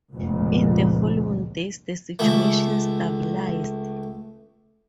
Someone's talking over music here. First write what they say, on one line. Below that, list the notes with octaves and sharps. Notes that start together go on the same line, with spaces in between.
In the following days the situation stabilized.
F1 C#2 A#2
C#2 A3